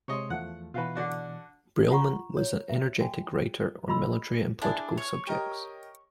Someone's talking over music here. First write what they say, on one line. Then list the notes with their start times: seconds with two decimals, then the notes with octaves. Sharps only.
Brialmont was an energetic writer on military and political subjects.
0.08 C3 G#3 C#5 D#5 C6
0.30 E2 F3 A3 F#5
0.74 B2 E3 F4 F#4 B4
0.95 D3 D4 F#4
1.91 F4 F#5 A#5 C#6
2.37 C#5
2.69 E5
3.01 F#4 G5 G#5
3.88 F4 D#5 B5 C6 E6
4.62 D4 E4 G#4
4.98 C#5
5.27 G4 A#4 D#5